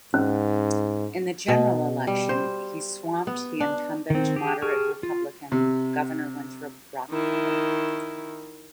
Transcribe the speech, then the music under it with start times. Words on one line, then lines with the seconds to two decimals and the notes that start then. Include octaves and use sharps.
In the general election, he swamped the incumbent moderate Republican Governor Winthrop Rockefeller.
0.14 G#2 C#4
1.48 B2
2.07 G3
2.29 C5
3.27 B3
3.60 D4
4.10 D#3 C4
4.36 G4 G#4
4.62 G4 G#4 A5 C#6 F6
5.03 F4
5.52 C3
7.10 D#3 E4